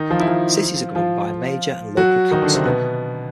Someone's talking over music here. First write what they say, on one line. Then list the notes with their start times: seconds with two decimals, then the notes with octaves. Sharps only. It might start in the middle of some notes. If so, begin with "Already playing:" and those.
Cities are governed by a mayor and local council.
Already playing: D#3 D#4
0.10 F3 F4
0.20 E4
0.27 F3 F4
0.95 F3 F4
1.97 F#3 F#4
2.31 D#3 D#4
2.42 D3 D4
2.53 C3 C4
2.65 B2 B3